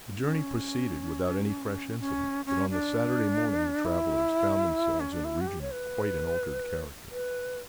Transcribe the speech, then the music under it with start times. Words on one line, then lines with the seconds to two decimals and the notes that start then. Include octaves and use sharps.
The journey proceeded without any fresh incident, but on the Saturday morning the travellers found themselves in a region of quite an altered character.
0.15 C#4
2.00 C#4
2.45 C#4
2.70 D4
3.85 E4
5.00 C#4
5.13 D4
5.25 E4
5.41 F#4
5.47 G4
5.61 C#5
5.71 B4
7.10 B4